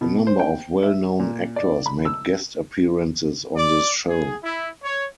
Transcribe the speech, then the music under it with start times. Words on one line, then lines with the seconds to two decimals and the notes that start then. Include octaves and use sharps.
A number of well-known actors made guest appearances on this show.
0.01 B2
0.27 C5
0.39 G5
0.83 E5
1.20 A#2
1.56 D5
1.86 B5
2.05 E6
3.56 D5
4.08 G#4
4.43 E4
4.83 C#5